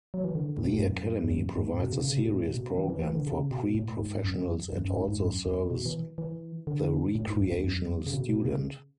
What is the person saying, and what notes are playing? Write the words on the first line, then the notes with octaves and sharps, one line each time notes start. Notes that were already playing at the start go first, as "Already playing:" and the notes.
The academy provides a serious program for pre-professionals and also serves the recreational student.
F#3
E3
D3
A2
B2
A2
G#2
F#2
G#2
F#2
G#2
B2
C#3
C#3
B2
A2
B2
E3
E3
E3
D3
C#3
B2
A2
G#2
F#2
F#2
F#2
G#2
G#2
F#2
E2
B2
E3
E3
D3
A2
G#2
F#2
E2
F#2
C#3
B2
B2
C#3